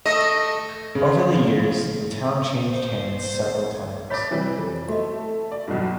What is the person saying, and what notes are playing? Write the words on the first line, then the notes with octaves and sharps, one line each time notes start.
Over the years, the town changed hands several times.
A3 D#5
C#3
C5
C#5 B5 D6 A6 B6
C3 E3 G3
F2 A4
A3 F#4 D#5
D5
B1 E2 G2